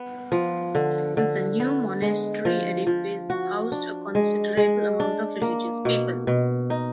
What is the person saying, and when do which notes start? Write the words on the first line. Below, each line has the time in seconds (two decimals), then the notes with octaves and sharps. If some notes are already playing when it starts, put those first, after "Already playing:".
The new monastery edifice housed a considerable amount of religious people.
Already playing: B3
0.32 F3
0.75 D3
1.17 D3
1.60 B3
2.02 G#3
2.45 F3
2.87 F3
3.30 F#4
3.72 D4
4.15 G#3
4.57 G#3
5.00 D4
5.42 A#3
5.85 B2
6.27 B2
6.70 D#4